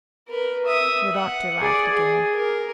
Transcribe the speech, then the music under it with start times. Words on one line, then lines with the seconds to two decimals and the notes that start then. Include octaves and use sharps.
The doctor laughed again.
0.28 A#4 B4
0.65 E5 D#6
1.13 F#5
1.59 G#4 D5
1.92 G#4
2.36 A#4